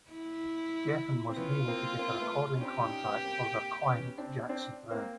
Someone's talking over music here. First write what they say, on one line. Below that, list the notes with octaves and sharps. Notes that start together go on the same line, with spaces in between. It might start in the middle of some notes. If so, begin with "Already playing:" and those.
Geffen was unable to get a recording contract for their client Jackson Browne.
E4
C4
B3 C#4 F4
A#3 C4
A#3 C4
A3 B3
C#4
C4 D4 G4
C#4 D#4
B3 C#4
A#3 C4
B3 C#4
C4 D4
C4 D4
A#3 C4